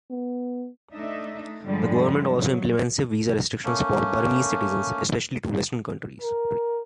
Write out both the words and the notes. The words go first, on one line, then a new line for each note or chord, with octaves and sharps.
The government also implemented extensive visa restrictions for Burmese citizens, especially to Western countries.
B3
A3 D4 D#4 D#5 E5
G2 D3 F3 G3 G#3
F#3
A3 A#3 C#4
A#4